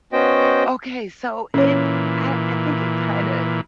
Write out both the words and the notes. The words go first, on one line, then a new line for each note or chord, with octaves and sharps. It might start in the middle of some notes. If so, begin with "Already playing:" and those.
Okay, so, it I I think it kinda
B3 C#4 F#4 C5 D#5 G5
A#2 E3 C#4 C#5